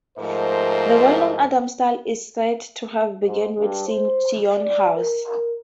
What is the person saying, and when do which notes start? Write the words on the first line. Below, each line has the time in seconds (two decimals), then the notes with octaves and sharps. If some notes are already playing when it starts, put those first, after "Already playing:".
The well known "Adam style" is said to have begun with Syon House.
0.18 G#2 F3 A3 A#4 C5 D#5
3.26 G#2
3.58 G2
3.87 C5
4.57 D5
4.96 A#4